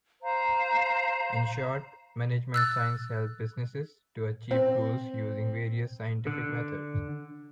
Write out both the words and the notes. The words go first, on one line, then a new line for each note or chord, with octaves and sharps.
In short, management sciences help businesses to achieve goals using various scientific methods.
C5 F5 A#5
E6 F#6 A6
C4
D3